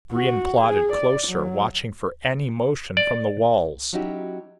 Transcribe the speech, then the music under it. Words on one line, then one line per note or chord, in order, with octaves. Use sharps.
Brion plodded closer, watching for any motion from the walls.
F#4
G#4
D5
F#3
D5
F#3 C#4 D#4 E4 F#4 G4